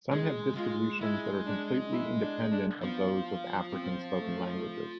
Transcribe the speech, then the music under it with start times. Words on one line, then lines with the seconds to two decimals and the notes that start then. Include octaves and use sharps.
Some have distributions that are completely independent of those of African spoken languages.
0.11 G#3 G#4
0.56 G#3 F4
1.01 G#3 E4
1.46 D4
1.92 E4
2.22 D4
2.52 D4
2.82 F3 B3
3.72 C4
4.18 A3